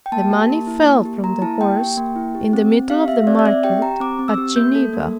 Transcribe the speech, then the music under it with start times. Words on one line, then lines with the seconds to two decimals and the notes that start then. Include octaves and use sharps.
The money fell from the horse in the middle of the market at Geneva.
0.06 G5
0.12 A#3 A5
0.31 G4
0.49 A#3
0.67 E4
0.87 A#3
1.05 G4
1.24 A#3 A#5
1.42 E4 A5
1.60 A#3 G5
1.79 G4
1.97 A#3
2.16 E4
2.35 G4
2.53 C4
2.72 C4
2.90 G4 F5
3.08 G4 E5
3.27 C4 D5
3.39 D5
3.45 C4 E5
3.64 G4 G5
3.82 G4 A#5
4.00 C4 D6
4.19 C4
4.28 E6
4.38 G4
4.56 A#3 G6
4.75 A4
4.93 A#3